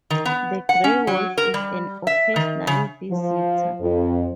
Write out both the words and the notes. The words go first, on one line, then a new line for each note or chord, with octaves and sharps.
The gray wolf is an occasional visitor.
D#3
B3
F#5
C#4
F#3
A#4
G3
E5
D#3
C#3
F3
F2